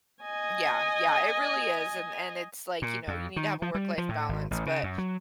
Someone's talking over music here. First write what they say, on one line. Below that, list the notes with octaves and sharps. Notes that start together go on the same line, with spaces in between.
Yeah, yeah, it really is, and and it's, like, you know, you need to have a work-life balance, but
D#5 G#5
A#2
F2
D#3
F3
G3
F3
A2
G#1
A1
C#3
F#2
F#3